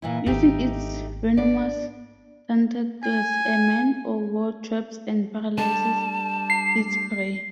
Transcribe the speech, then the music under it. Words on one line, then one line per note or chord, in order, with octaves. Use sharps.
Using its venomous tentacles, a man o' war traps and paralyzes its prey.
A#2 E3 E4
D#1 G#1 A3 D#4 G4
D4 D5
G#5
G3 D4 A4 A5
C7